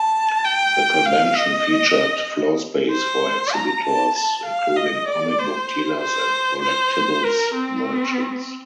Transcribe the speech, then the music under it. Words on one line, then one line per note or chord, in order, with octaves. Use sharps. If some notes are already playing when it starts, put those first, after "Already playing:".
The convention featured floorspace for exhibitors, including comic book dealers and collectibles merchants.
Already playing: A5
G5
F5
D#5
C5
A#5
A5
A5
F5
D#5
D5
C5
C5
C5
A#4
C4